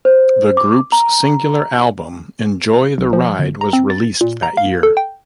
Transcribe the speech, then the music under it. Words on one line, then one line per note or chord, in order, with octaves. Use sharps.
The group's singular album, "Enjoy the Ride", was released that year.
C5
D6
A#5
B1
F3
G1
A#5
C4
A6
A#2
A#5
F5
A4
G5